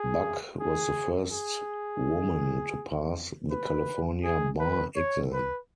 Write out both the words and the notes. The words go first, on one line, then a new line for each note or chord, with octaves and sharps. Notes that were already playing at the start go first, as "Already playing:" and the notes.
Buck was the first woman to pass the California Bar exam.
Already playing: G#4
G#4
G#4
B4
G#4
B4
C#5
B4